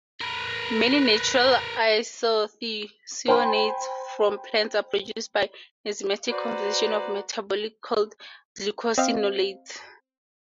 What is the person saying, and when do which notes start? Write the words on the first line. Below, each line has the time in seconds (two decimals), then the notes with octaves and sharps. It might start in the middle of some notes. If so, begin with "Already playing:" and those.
Many natural isothiocyanates from plants are produced by enzymatic conversion of metabolites called glucosinolates.
0.21 A#4 B4
3.28 C5 G5 G#5 B5 C6
6.30 F#4 B4 C5 D5 A#5
8.98 C4 D#5 F5